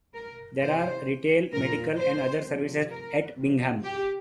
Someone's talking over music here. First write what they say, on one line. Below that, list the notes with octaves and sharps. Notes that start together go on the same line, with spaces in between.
There are retail, medical and other services at Bingham.
A#4
C3 E3 C5
A#2 F3 A#4
C5
C3 F3
A#4
C3 F3
G4